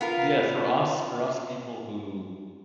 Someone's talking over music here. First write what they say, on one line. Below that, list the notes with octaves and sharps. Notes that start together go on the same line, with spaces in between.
Yeah, for us for us people who
B3 F4 A#4